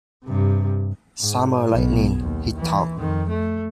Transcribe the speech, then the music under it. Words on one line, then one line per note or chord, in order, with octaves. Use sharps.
"Summer lightning," he thought.
G2 C3
G#2
B1 B2
D#2
E3
F2 D#3
A3